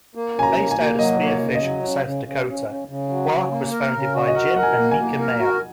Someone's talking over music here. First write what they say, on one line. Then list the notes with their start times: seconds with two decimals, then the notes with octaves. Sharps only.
Based out of Spearfish, South Dakota, Quarq was founded by Jim and Mieke Meyer.
0.15 A#3
0.36 C#3 G#5
0.43 A#5
0.57 A#3
0.71 G#5
0.78 A#3
0.99 F#3 D#5
1.15 D#5
1.20 A#3
1.27 C#5
1.41 C#3
1.55 D#5
1.62 F#3
1.83 C#3
2.04 C#3
2.25 C#3
2.46 C#3
2.68 C#3
2.88 C#3
3.09 F#3
3.30 C#3
3.51 A#3
3.72 A#4
3.93 C#3
4.14 F#4
4.27 D#5
4.35 A#4 F#5
4.56 A#4 F#5
4.63 G#5
4.77 A#3
4.91 G#5
4.99 A#3
5.19 A#4
5.40 F#4